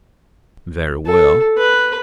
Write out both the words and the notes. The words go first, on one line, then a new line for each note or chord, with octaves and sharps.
"Very well."
A4
B4